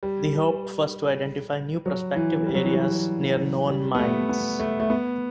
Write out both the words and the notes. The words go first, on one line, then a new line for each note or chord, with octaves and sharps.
The hope was to identify new prospective areas near known mines.
G3
F#3
E3
G3
F#3
E3
F#3
G3
B3
A3
B3
A3
A3
B3